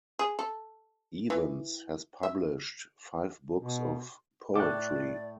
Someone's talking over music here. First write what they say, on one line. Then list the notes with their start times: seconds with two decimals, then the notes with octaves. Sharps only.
Evans has published five books of poetry.
0.19 G#4
0.39 A4
1.30 E3
2.23 E5
3.58 B2
4.56 A2 A4 D5 G5 D6 F#6